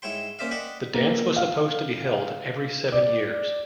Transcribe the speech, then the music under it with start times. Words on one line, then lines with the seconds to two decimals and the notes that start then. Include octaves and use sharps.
The dance was supposed to be held every seven years.
0.02 G#2 E4 C#5 G5 C6
0.39 A#3 C#4 C5 D5 E5 F5
0.51 D5 D#5 F#5 G5 B5
0.94 A#3
1.36 F5
2.92 D5